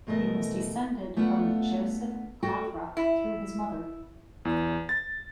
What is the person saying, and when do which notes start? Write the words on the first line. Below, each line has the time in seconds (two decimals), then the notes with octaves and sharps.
He was descended from Joseph Cawthra through his mother.
0.07 E2 B2 A3 A#4 D#5
1.16 A3 B3 D4 F4 F#5
2.43 D2 F#4 A4 G5
2.97 E4
4.45 E2
4.89 A6